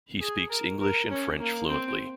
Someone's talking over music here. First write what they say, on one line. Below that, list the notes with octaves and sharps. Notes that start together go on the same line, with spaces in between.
He speaks English and French fluently.
G#4
A#4
A#4
C#4
A#3
C4